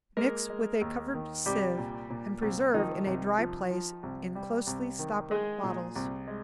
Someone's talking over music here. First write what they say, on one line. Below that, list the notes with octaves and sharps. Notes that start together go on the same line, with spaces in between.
Mix with a covered sieve and preserve in a dry place in closely stoppered bottles.
G#3 A#3 A#4
G#3
D#2
D#3
C2 G3 G4
A#2
A#2
C2
D#3 F3 D#4
C2
F3
F3
C2
G3
C2
D#3
G#3 G#4
A#2
C2
G#3